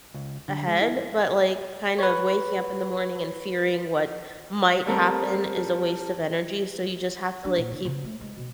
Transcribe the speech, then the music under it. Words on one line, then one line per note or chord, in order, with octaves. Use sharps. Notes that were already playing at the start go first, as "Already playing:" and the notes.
ahead, but, like, kind of waking up in the morning, and fearing what might happen is a waste of energy, so you just have to, like, keep
C#2
D3
G#3
E4
B4 C#5
G3 A3 C4 A4 A#4
D4
A#2
D3
C#3
A3
G#3
B2